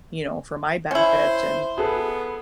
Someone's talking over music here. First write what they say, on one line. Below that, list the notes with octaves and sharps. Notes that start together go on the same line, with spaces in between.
you know, for my benefit, and,
C#4 E4 C5
B3 G#4 A4 B4